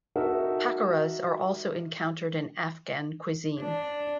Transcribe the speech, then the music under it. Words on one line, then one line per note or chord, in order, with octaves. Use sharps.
Pakoras are also encountered in Afghan cuisine.
D#4 F#4 A4 A#4 E5
D4